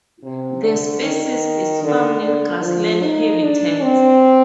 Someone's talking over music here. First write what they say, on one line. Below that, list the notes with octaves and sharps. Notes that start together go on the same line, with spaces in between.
The species is found in grassland habitats.
C3
D3
D#3
D3
D3
F3
D#4
D4
C4